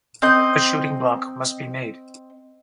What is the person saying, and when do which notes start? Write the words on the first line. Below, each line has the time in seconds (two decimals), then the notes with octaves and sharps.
A shooting-block must be made.
0.22 C4 D#5 G6